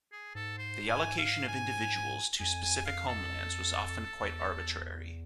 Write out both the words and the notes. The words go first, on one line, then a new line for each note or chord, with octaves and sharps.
The allocation of individuals to specific homelands was often quite arbitrary.
G#4
G#2 A4
C5
G#5
F5
G#5
F2 G#5
G#5
F5
A4
E2